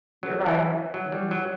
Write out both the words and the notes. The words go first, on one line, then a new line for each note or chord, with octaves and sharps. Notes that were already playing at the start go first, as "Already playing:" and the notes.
You're right. Mhm.
F#3
E3
F#3
G3
F#3